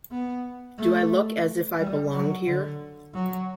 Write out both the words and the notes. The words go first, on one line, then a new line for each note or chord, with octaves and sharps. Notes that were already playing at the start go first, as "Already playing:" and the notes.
Do I look as if I belonged here?
B3
A3
G3
F#3
D3
F#3